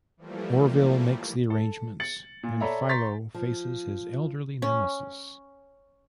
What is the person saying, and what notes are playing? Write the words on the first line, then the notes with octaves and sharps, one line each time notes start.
Orville makes the arrangements, and Philo faces his elderly nemesis.
E3 F3 G3 A3 A#3
A4
A6 C#7 F#7
A#2
A4 C#5 D5 E5 A#5 B5
A#5 C6 C#6 G6 A6 B6
F3
C#4